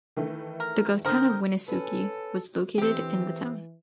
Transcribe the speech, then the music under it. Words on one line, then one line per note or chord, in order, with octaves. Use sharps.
The ghost town of Winooski was located in the town.
D#3 E3 A3
A#4
D3 C4 A#4 D#6 G6
C#4 A4 B4
E3 C4 G4